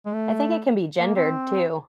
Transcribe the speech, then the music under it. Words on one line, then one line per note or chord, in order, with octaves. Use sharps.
I think it can be gendered too.
G#3
A3
A#3
C4